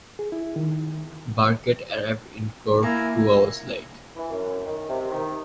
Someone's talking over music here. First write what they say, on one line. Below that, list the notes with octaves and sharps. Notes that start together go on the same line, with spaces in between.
Birkett arrived in court two hours late.
G#4
E4
D#3
A#3 E4 G#5 A#5
E3
F#2
D#3
C3
D#3